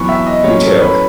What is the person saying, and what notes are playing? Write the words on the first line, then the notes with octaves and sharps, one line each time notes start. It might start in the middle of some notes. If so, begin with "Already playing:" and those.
You too.
Already playing: F#2 E3 B3 C#6
E5
D#5
A2 F#3 C#4 C#5
A4
B4